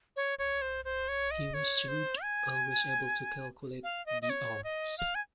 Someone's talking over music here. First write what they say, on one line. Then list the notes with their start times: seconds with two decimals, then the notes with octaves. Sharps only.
He was shrewd, always able to calculate the odds.
0.16 C#5
0.39 C#5
0.62 C5
0.85 C5
1.08 C#5
1.31 D#5
1.54 C#5
1.88 C5
2.23 G#5
3.83 F5
4.06 D#5
4.22 D#5
4.30 C#5
4.64 D#5
4.98 F5
5.15 G#5